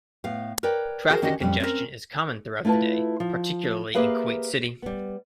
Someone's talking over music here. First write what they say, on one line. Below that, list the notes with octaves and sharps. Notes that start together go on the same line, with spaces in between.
Traffic congestion is common throughout the day, particularly in Kuwait City.
A2 B3 F5
A#4 B4 C#5 D5 G5
F#4 G#4 A#4 C5
D#3 C#4 D4 F#4 G4 D#5
F2 G3 C#4
C4 C#4 E4 A#4
A3 E4 F4 B4 A5
F3
A#3 G4 G#4 B4 E5 F5
G3 B3